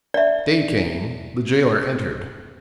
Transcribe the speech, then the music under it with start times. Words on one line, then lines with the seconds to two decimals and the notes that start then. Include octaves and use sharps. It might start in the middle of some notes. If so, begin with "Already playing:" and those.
Day came, the jailer entered.
0.14 D5 E5